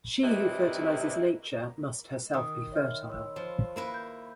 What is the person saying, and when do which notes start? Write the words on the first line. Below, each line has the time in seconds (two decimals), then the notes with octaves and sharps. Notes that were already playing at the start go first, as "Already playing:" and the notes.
She who fertilizes nature must herself be fertile.
0.23 C3 D#3 E3 G3
2.33 D#3 D#6
2.72 C#5 E5 F6
3.10 C#5 E6
3.36 F3
3.76 A#3 E4 B4
3.94 G6